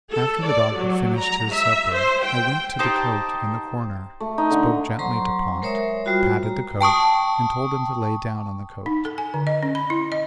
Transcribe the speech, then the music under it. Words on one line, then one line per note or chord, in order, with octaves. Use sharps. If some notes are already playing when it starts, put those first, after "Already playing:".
After the dog had finished his supper I went to the coat in the corner, spoke gently to Pont, patted the coat, and told him to lay down on the coat.
A4
D5
F#3
A#5
E5
C5
G5
D#4 G4 C5 A5
A3
D#4
D3
F#3 C5 A#5 C6 C#6
G#3 A#4 C5 C#5 E5 D#6
G3 F4 F#4 B5
A#5
G5 A5 C#6 D#6
D#4
A4
G#5
D3
D#5
C#4
B5
E4
D#5